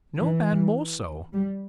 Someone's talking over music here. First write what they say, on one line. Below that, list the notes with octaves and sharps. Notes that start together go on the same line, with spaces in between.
"No man more so."
E3
G3